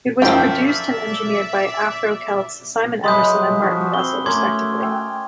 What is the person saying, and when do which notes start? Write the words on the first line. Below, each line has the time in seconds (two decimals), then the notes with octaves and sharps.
It was produced and engineered by Afro Celts Simon Emmerson and Martin Russell, respectively.
0.22 F#2 F3 D5 E5 G5
3.04 F#3 G#3 B4 E5 C6 D#6 G6
3.63 F3 F#4 E5
3.94 C4 G7
4.26 A3 C#4 A#4 C6 D6 G#6
4.82 G5